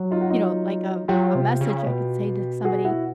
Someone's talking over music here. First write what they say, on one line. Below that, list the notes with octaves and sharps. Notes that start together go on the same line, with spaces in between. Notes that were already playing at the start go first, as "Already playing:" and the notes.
you know, like a a message I could say to somebody,
Already playing: F#3
D#4 F4
F#4
D#4 F4
F#3 F4 G4
C3
C#3
B2
F#4 G#4
E4 F#4